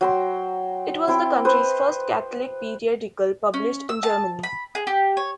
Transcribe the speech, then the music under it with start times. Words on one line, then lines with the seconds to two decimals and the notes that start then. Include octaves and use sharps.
It was the country's first Catholic periodical published in German.
0.01 F#3 G5 C6
1.07 C4 E4 G5 A5
1.45 B4 C5 D#6
3.54 C#4
3.89 E6
4.03 A5
4.43 B5
4.75 G#4
4.87 G4
5.17 C#5